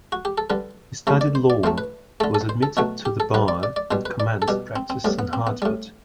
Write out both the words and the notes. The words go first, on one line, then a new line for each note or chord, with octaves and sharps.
He studied law, was admitted to the bar, and commenced practice in Hartford.
F#4
G4
A4
D3 G3 B4
C3 F#3 A3 C5
D5
C5
D5
A2 F#3 A3 C5
B4
D3 A3 A4
A4
C5
A4
B2 F#3 A3 F#4
G4
A4
D3 G3 B4
D5
D5
D5
B2 G3 C5
B4
D5
A4
B2 G3 G4
C4
C4
A2 G3 B3
B3
C4
B3
A2 G3